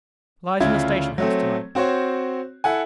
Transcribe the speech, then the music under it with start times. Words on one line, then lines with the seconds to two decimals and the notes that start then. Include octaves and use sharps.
Lies in the station-house to-night.
0.60 D2 C#3 E4 F4 E5 G#6
1.18 F#3 A3 C4
1.75 C4 F#4 C5 C#5
2.64 E4 A4 F#5 G#5